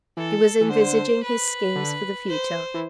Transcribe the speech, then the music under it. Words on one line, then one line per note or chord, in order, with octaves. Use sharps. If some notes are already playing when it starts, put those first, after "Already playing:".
He was envisaging his schemes for the future.
E3 A4
E3
D3 C5
B4
D3
C5
E3